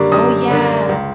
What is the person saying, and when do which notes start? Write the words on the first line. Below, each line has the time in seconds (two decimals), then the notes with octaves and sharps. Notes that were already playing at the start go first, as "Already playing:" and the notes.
Oh, yeah.
Already playing: F#2 D3 G3 A#3 D4 C#6 D6
0.12 F#2 D#6
0.50 D3 G3 A#3 D4
0.89 C#2